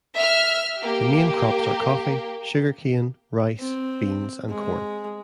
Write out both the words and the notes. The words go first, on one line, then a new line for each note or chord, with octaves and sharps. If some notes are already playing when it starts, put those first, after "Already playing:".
The main crops are coffee, sugarcane, rice, beans, and corn.
E5 F6
A#3 G4
C4
G#3